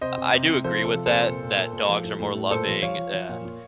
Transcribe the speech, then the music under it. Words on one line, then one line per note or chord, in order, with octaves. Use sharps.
I I do agree with that, that dogs are more loving, and
C3 C5 D#5
C3
C3
C3
F3 A4 C5
C3
A4
F3
C3 A4 C5
A#2
A#2
A#2
A#2
F3
A2
A2
A2
A#2 A4 C5
F3
F3 C#5 F5
F3
F3
A#2
A#2